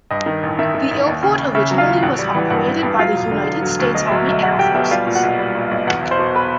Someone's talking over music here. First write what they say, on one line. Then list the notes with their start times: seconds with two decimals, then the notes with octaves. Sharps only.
The airport originally was operated by the United States Army Air Forces.
0.11 G2 D#5
0.26 D#3
0.43 A1
0.59 D#3 E5
0.75 D#3
0.91 A1
1.07 D#2
1.23 C#3
1.38 C#3
1.55 C#3 E5
1.71 F#3
1.78 F4 F5
1.86 D#2
2.03 A1 F#4 F#5
2.19 G3
2.35 E3
2.50 G2 F#4 F#5
2.67 E3
2.83 G2
2.99 F#3 F4 F5
3.15 E1
3.31 D3
3.47 E1
3.62 F#3
3.80 D2
3.95 B1 D#5
4.06 E5
4.11 F#3
4.27 B1 E5
4.43 F#3 F#4 F#5
4.59 B1 G4 G5
4.74 B2 E5
4.85 E5
4.91 G3 F4 F5
5.07 A#2
5.15 F#4 F#5
5.23 B1
5.39 G3
5.55 A#2
5.71 B1
5.87 E2 F#4 F#5
6.03 E2
6.11 C5 C6
6.19 B2
6.35 B4 B5